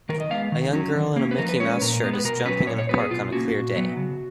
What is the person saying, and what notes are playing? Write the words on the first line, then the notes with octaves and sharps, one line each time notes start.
A young girl in a Mickey Mouse shirt is jumping in a park on a clear day.
D#3 A#4
D#5
G#3 B3 F5
D#3
F#3 C#4
D#3
A#3 C#4
B4
F3 A#4
B4
G#3 C#4 C#5
B4
A#2 A#4
G#3 B3
B4
B2 A#4
F#3 C#4 B4
A#2 C#5
C#5
F#3 B3 B4
G#4
B2 F4
A#3 C#4 F#4
A#2
F#3 B3
C#3